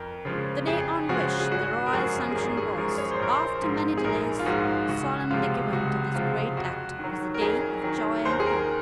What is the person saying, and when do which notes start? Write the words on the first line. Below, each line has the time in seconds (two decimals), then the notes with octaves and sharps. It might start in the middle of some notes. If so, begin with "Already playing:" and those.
The day on which the royal sanction was, after many delays, solemnly given to this great Act, was a day of joy and hope.
Already playing: F2 A#4
0.25 C#3 F3 G#3
0.67 F2 G#4
1.09 C#3 F3 G#3 F#4
1.40 G#4
1.51 G#1 F#4
1.86 A#4
1.93 F#2 F3 G#3 G#4
2.31 G#4
2.36 G#1 A#4
2.57 G#4
2.77 F#2 F3 G#3 A#4
2.98 C#5
3.11 C5
3.20 A#1 A#4
3.35 C5
3.62 G#2 F3 G#3
3.97 G#4
4.04 A#1 A#4
4.39 F4
4.46 G#2 F3 G#3 F#4
4.88 C#2 F#4
5.30 C3 F3 G#3 F4
5.73 C#2 F#4
6.15 C3 F3 G#3 F4
6.57 F2 F#4
6.99 D#3 F#3
7.34 A#4
7.41 F2 G#4
7.83 D#3 F#3
8.25 D#2 C5
8.32 A#4
8.40 G#4
8.46 A#4